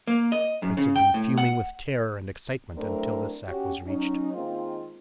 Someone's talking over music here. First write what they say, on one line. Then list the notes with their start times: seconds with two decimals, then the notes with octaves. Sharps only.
Fritz had been fuming with terror and excitement until this sack was reached.
0.07 A#3
0.32 D#5
0.62 F#2
0.77 C#3
0.96 G5
1.14 A2
1.38 F#5
2.77 F#3 A3 C4 D4 E4 A#4
3.48 C#4 F#4 G4
3.87 F#3 C#4 D#4
4.33 D#3 G#3 A#3 C4 F4